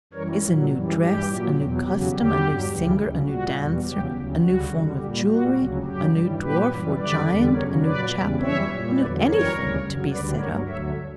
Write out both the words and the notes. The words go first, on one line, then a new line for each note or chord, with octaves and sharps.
Is a new dress, a new custom, a new singer, a new dancer, a new form of jewellery, a new dwarf or giant, a new chapel, a new anything, to be set up?
F#2 E3 G3 A#4 C#5
A#2 F#3
F#2 E3 G3
G2 E3 G3 G4
A#2 F#3
E2 B2 F#3
E2 C#3 F#3 G4
E2 D3 G3 G4
G2 F#3
D2 C#3 E3 G3
D2 C#3 F#3
A#2 G3 F#4
E2 B2 G3
E2 C#3 F#3 G4
D2 C#3 F#3
D2 C#3 G3 F#4
F#2 D3 G3
A#2 G3 G4
A#2 G3 F#4
D2 C#3 F#3
F#2 C#3 F#3 G4
G2 E3 G3
A#2 F#3 G4 B4
F#2 E3 G3
F#2 D3 G3 B4 D5
E2 D3 G3
F#2 C#3 F#3 A#4 C#5
A#2 F#3 B4 D5
E2 C#3 G3
F#2 E3 G3 C#5 E5
A#2 G3
E2 D3 F#3 B4 D5
F#2 E3 G3 A#4 C#5
D2 C#3 G3
F#2 C#3 F#3
D2 D3 G3 B4 D5
G2 F#3 A#4 C#5
D2 D3 F#3 C#5 E5